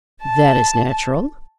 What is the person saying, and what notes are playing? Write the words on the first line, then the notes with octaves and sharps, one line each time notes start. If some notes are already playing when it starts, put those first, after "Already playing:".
"That is natural."
A5